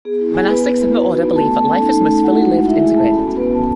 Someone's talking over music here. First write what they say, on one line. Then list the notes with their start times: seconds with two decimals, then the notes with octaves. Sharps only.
Monastics in the Order believe that life is most fully lived integrated.
0.05 B3 G#4
0.20 E4
0.34 B3 G#4 G#5
0.49 B3 B4 B5
0.63 B3
0.78 E4
0.92 F#4
1.07 D#4
1.22 B3
1.36 A3 A4 A5
1.51 C#4
1.57 A4 A5
1.66 C#4
1.80 D#4
1.95 A3
2.09 D#4
2.23 E4 F#4 F#5
2.39 G#3
2.53 G#3
2.67 E4 E5
2.82 A3 G#4 G#5
2.96 C#4 A4 A5
3.10 F#4 B5
3.26 B3
3.37 B3 B4 B5
3.54 C#4 A4 A5